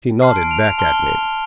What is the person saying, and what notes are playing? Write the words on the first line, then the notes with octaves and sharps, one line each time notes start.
She nodded back at me.
A5 C6 F6 C7
D7
F7
F7
A5 C6 F6 G7
F7